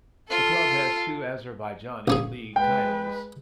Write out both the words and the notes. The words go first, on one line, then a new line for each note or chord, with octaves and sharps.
The club has two Azerbaijani league titles.
F4 A4
A#1 C#4 G#4
G#3 B4 G5